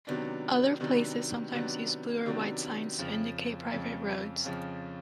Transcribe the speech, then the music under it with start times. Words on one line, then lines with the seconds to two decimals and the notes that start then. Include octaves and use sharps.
Other places sometimes use blue or white signs to indicate private roads.
0.07 C3 D#3 F#3 B3 D4
0.80 C3 D#3 F#3 B3 D4
1.52 C3 D#3 F#3 B3 D4
2.25 C3 D#3 F#3 B3 D4
2.99 F2 C#3 F3
3.71 F2 C#3 F3
4.44 F2 C#3 F3